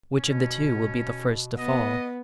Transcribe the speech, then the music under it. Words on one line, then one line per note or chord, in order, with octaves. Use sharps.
Which of the two will be the first to fall?
B2 C#4
B3 D#5